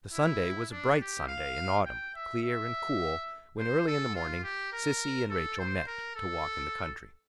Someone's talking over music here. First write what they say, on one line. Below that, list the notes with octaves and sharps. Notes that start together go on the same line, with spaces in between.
THE Sunday was a bright Sunday in autumn, clear and cool, when early in the morning Sissy and Rachael met, to walk in the country.
E4
D4
G4
F5
G5
E5
E5
C5
A4
F4
G4
A#4
A4
C5
A#4
A4